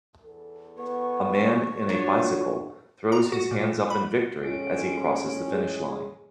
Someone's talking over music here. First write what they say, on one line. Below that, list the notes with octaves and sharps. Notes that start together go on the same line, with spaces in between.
A man in a bicycle throws his hands up in victory as he crosses the finish line.
E2 A4
B3 C#6
F#3 D4 C#5
A#5
F#4
A#2
B5
A2 G#3 C#4 D7
G#4